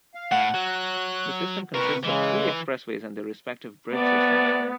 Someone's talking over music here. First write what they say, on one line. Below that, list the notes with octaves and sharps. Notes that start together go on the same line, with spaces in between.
The system consists of three expressways and their respective bridge systems.
F5
A2 F#5
F#3 F#6
C3 A#4 B4 C#6
C#3 E3 G#3
C3 A3 B3 D5